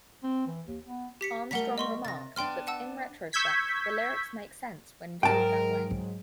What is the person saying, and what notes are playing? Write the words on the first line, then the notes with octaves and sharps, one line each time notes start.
Armstrong remarked that, in retrospect, the lyrics make sense when viewed that way.
C4
E3
D#2
B3
G4 B6 C#7
G3 A3 A#4 F#5 A#5 B6
D#5 C6 C#6
C3 A6 A#6
B3 D4 G5 C6 F6
F#5 A5 E6
C#6 E6 G6 G#6 B6
G#2 F#3 G#3 A#4 G5 A5